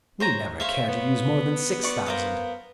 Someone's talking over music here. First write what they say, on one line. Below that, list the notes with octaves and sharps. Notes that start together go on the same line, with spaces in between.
We never care to use more than six thousand.
C5 C#5 A#5
C5 C#5 E5 F5
B3
D5 C#6
A#4 C5 F5